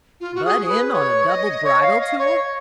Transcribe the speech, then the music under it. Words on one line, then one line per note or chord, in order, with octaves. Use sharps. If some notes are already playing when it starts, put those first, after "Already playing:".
Butt in on a double bridal tour?
F4
F#4
G#4
B4
C#5
D#5
C#5
F5
D#5
C#5